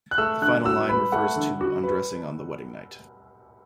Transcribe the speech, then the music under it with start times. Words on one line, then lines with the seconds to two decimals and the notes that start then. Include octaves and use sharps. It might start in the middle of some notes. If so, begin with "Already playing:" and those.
The final line refers to undressing on the wedding night.
0.11 F#6
0.18 A3 E6
0.42 D3 F#6
0.65 F#4 E6
0.89 B4 B5
1.12 A3 F#5
1.36 D3
1.61 F#4
1.83 B4